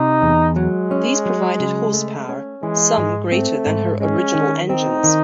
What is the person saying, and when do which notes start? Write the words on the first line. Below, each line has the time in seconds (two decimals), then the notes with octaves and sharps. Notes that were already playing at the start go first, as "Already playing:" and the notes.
These provided horsepower, some greater than her original engines.
Already playing: C3 D#4
0.22 E2
0.56 F#3 G#3
0.91 C#4
1.26 F#3
1.60 C#3
1.94 A3
2.29 C#4
2.63 E3 G#3
2.97 G#2
3.32 A3 C4
3.66 G#2
4.00 G#3 C#4
4.35 D#3
4.69 C4 D#4
5.04 D#3